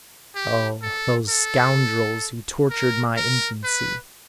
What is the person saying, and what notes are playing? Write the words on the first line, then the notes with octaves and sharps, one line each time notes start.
Oh! those scoundrels who tortured my infancy!
G4
A4
A4
A#4
A#4
B4